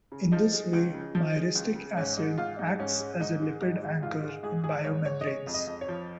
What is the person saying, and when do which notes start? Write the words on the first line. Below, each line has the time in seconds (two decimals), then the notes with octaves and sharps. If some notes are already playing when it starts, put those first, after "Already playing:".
In this way, myristic acid acts as a lipid anchor in biomembranes.
0.12 C#3
0.32 F3 D#4
0.53 G#3
0.73 C#2
0.94 C#3
1.15 F3
1.36 G#3
1.55 C#2
1.76 C#3
1.97 G#2 C#4
2.17 G#3 D#4
2.38 G#2 F4
2.58 G#3 D#4
2.79 G#2 C#4
3.00 G#3
3.20 G#2 D#4
3.41 G#3
3.61 G#2 D#4
3.82 G#3
4.02 G#2 F4
4.23 G#3
4.43 G#2 G#4
4.64 G#3 G#4
4.84 G#2 C#5
5.05 G#3 C#5
5.21 D#5
5.27 G#3 C#5
5.47 F2
5.54 D#5
5.67 F2
5.81 C#5
5.88 F3